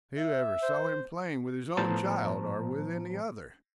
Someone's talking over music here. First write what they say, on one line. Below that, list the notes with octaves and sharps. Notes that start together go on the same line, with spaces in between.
Who ever saw him playing with his own child, or with any other?
E5
C5
A2 F3 B3 C5 A5 A#5